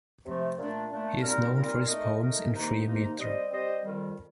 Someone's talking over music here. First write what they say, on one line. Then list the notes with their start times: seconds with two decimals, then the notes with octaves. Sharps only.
He is known for his poems in free metre.
0.24 C3 F3 A3
0.57 A#2 A3 D4
0.90 A#2 A3 D4
1.22 A#2 G3 C4 D#4 A#4
1.55 A#2 G3 C4 D#4 A#4
1.87 A3 D#4 A#4 D#5
2.20 A3 D#4 A#4 D#5
2.52 C3 D#3 A#3 D#4
2.85 C3 D#3 A#3 D#4
3.17 G3 C4 G4 C5 D#5
3.50 G3 C4 G4 C5 D#5
3.83 F2 D#3 G3